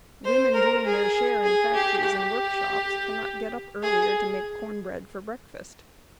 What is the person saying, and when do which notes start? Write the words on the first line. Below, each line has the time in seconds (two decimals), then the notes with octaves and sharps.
Women doing their share in factories and workshops cannot get up earlier to make corn bread for breakfast.
0.25 C5
0.54 A#4
0.85 G#4
1.43 G#4
1.74 G4
2.03 G4
3.82 G#4